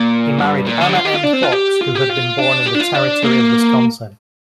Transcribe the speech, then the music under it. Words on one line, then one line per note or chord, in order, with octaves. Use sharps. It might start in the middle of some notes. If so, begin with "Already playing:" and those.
He married Anna M. Fox, who had been born in the territory of Wisconsin.
Already playing: A#2
G2
A#2
D3
G4
F4
G4
F4
D4
C4
F4
G4
F4
G4
F4
D4
G4
D4
F4
D4
A#3